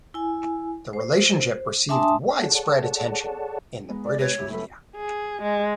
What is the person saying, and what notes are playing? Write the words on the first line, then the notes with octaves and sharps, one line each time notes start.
The relationship received widespread attention in the British media.
E4 G#5
C5
D4 E5 G#5 A5 C6 D#6
G#4 A4 C#5 D5 F#5 A5
G#3 B3 D#4
D5
B4 C#5
F#2 C#3 E4 G4
A2 F#3 A4 B4
G#4
G#3